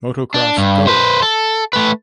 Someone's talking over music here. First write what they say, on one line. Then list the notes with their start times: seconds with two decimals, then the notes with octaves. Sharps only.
Motocross Go!
0.34 D4
0.58 G2
0.87 B4 C5
1.22 A4
1.73 A3 B4